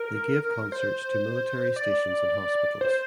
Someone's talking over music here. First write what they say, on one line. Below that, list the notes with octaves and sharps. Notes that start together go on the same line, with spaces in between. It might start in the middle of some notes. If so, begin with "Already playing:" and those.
They gave concerts to military stations and hospitals.
Already playing: A#4
C5
D5
C5